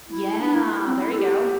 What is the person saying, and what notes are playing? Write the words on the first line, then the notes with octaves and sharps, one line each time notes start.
Yeah, there you go.
E4
D4
E4
E4
C4
E4
A4
G4